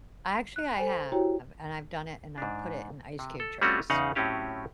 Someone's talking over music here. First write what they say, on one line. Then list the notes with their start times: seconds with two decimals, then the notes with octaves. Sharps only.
Actually, I have, and I've done it, and I've put it in ice cube trays.
0.56 F#6
0.78 A4 C5 G#5
1.12 E4 F#4 G4 C#5 G5 A#5
2.38 G#2 D4
3.19 C3
3.40 A4
3.62 G3 A3 C4 C#4 F4 F#4
3.90 E2 C#3 D#4 F5 F#5
4.15 A2 F#3 C4 C#4 G4 F5